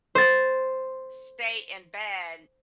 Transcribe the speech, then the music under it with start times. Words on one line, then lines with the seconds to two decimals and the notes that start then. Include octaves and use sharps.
stay in bed,
0.15 C5 A6